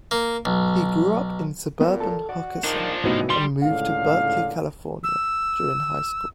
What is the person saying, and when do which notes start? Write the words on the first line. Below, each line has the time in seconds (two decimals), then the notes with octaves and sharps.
He grew up in suburban Hockessin and moved to Berkeley, California during high school.
0.11 A#3
0.45 B1
1.81 A#2 B3
2.00 A4 A5
2.29 F#4 D5
2.64 D#3 F3 D4
3.04 C2 A2 E3 B3 D#4 F#4 C#5
3.30 G3 C6 G7
3.64 C#2 A2 D3 F5
5.04 E6